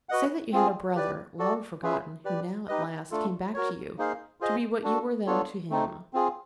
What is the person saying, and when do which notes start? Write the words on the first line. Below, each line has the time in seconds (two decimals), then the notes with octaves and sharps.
Say that you had a brother, long forgotten, who now at last came back to you to be what you were then to him.
0.09 F#4 B4 D#5 F#5
0.52 C4 F4 G#4
0.96 G4 B4 D5
1.39 F#4 A4 D5
1.82 C#4 F4 G#4 B4 E5
2.25 G4 B4 D5
2.68 D#4 G4 B4 D#5
3.11 A3 D4 F4 A4
3.54 F#4 A#4 C#5
3.98 A#3 D#4 G#4 C5 F5
4.40 F4 G#4 C5 D#5
4.83 D4 F#4 A4
5.27 B3 D4 F4 A4 C#5
5.70 A3 C4 D#4
6.13 C4 F4 G#4